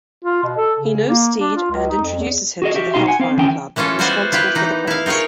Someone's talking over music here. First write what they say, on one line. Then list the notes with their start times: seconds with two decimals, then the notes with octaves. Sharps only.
He knows Steed and introduces him to the Hellfire Club, responsible for the pranks.
0.25 F4
0.44 B2
0.58 A4
0.79 C#3
1.08 A#3
1.40 D4
1.56 F4
1.71 C#2
1.89 D#4
2.02 F2
2.20 E2
2.62 F#4 G#4 D#5
2.74 F#4 G4 E5
2.94 B2 D#4 F#4 F5 C6
3.07 F#5 G#5
3.20 C4 F5
3.37 D2 E3 C#4 G5
3.76 E3 G#3 C#4 F4 A4
3.99 G3 B3 F4 F#4 C5 G#5
4.32 E4 F4 G4 B4
4.55 E3 D#4
4.87 E4 F5
5.06 D#4 F4 G#4 A#4 C#5